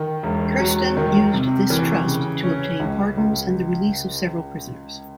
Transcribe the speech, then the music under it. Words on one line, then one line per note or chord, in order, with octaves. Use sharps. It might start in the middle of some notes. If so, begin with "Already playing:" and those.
Kersten used this trust to obtain pardons and the release of several prisoners.
Already playing: D#3
E1
F#3
D#3
C3
E3
C#3
C#4
C#2
C#2